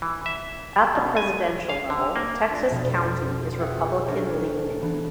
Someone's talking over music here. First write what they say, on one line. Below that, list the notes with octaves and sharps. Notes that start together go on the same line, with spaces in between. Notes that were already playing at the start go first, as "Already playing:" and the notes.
At the presidential level, Texas County is Republican-leaning.
E3
E5
B2
G#5
F5
D3
A#3
D4 F4 B4 D5 A#6
F2 B2
G4 G#4 E5 F#5
C#4 D4 A4 A#4 C5 C#5
E3 B3 D4